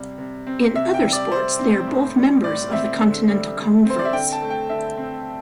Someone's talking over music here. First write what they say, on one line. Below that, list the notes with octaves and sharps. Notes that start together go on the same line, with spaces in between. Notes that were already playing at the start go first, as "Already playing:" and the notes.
In other sports they are both members of the Centennial Conference.
Already playing: C3 G3
C3
C4
C3 E5
G5
G3
D5
C3 C5
C4
A2
G3
A2 D5
C4 E5
D3
G3
D3
C4 C5
D5
E5
D3 G5
A5
A3
G5
D3 E5
C4